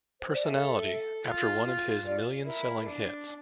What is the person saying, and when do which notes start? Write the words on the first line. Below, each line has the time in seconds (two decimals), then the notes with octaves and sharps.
Personality, after one of his million-selling hits.
0.21 C5
0.32 D5
0.44 A4 E5
1.25 F4
1.65 F4
2.04 D5
2.45 E4 A#4
2.85 D4